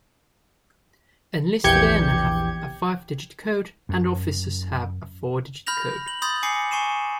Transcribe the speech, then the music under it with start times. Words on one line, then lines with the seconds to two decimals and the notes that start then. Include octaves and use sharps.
Enlisted airmen have a five digit code, and officers have a four digit code.
1.64 A#1 E2 G4 G6 G#6 C#7
3.89 F#2
5.67 B5 F6 G6 A#6 F7
6.08 F#7
6.22 B5 C6 D#6 G6 A6 F#7
6.43 G#5 D6 A#6 C7 C#7
6.71 G#5 C#6 C7 D#7 E7